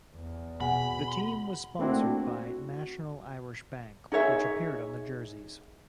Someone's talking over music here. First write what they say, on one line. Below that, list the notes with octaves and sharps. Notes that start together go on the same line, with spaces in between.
The team were sponsored by National Irish Bank which appeared on the jerseys.
E2
B2 G#4 F#5 G#5 B5
A3 A#3 C4 D4 E4 F#4
F#4
D#4 G#4 C#5 E5